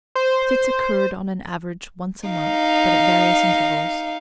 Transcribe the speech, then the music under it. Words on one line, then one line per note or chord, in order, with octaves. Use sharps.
The fits occurred, on an average, once a month, but at various intervals.
C5
D#4 F5